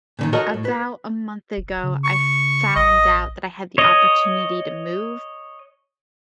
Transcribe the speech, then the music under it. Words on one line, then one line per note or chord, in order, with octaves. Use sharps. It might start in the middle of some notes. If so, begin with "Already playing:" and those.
about a month ago, I f found out that I had the opportunity to move,
A#2 D3 D#3
F#4 A4 A#4 C#5 D#5
A2
B4
F1
C#3
C#6
A1 D#5
C#5 D#5